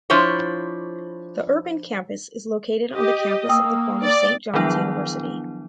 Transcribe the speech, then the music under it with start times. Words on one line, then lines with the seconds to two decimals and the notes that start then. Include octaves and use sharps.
The urban campus is located on the campus of the former Saint John's University.
0.10 F3 D4 E4 C5 C#5
2.94 G4 D#5
3.49 A#3 G5 D#6 E6
4.04 D5
4.54 D#3 F3 F#3 B3 D4 E4